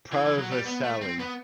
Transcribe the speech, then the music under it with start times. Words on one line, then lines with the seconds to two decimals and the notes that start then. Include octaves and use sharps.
Pro Vercelli.
0.12 E3
0.25 E3
0.38 F#3
0.51 G3
0.66 B3
0.84 A3
1.01 C4
1.19 B3